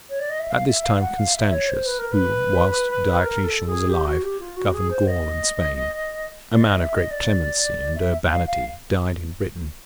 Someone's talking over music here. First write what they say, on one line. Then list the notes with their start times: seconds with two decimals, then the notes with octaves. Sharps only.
At this time Constantius, who, whilst Diocletian was alive, governed Gaul and Spain, a man of great clemency and urbanity, died in Britain.
0.10 C#5
0.20 D5
0.30 D#5
0.40 E5
0.50 F5
0.67 E5
0.84 F5
0.96 F5
1.01 F#5
1.18 F5
1.34 E5
1.52 C#5
1.69 C5
1.86 B4
1.99 A#4
2.12 B4
3.21 A#4
3.44 A4
3.66 G#4
3.89 G4
4.06 F#4
4.23 G4
4.40 F4
4.57 F#4
4.74 G#4
4.90 C5
5.07 D#5
6.52 D5
6.61 D#5
6.77 E5
6.94 D#5
7.11 D5
7.96 E5
8.30 F5
8.47 F5